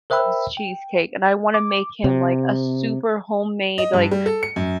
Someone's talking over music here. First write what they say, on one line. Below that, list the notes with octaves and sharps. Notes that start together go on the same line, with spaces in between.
loves cheesecake, and I wanna make him, like, a super homemade, like,
A#4 C5 E5 G5 B5 E6
G5
D6
C3
D#5
G2
G3
A4
C#7
F#2